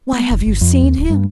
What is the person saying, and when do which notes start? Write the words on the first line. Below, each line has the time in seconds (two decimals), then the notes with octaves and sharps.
Why, have you seen him?
0.13 B3
0.30 F1
0.46 G1
0.61 F2
0.83 D#2
0.98 D1
1.10 G2